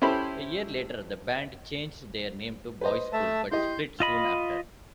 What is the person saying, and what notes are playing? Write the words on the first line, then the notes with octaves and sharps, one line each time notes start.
A year later the band changed their name to Boyschool but split soon after.
C#4 E4 G4 A4 C5 B5
B4 C5 D#5
A3 E5 A5
E4 G4 D#5 C6 G6
F4 D#5 B5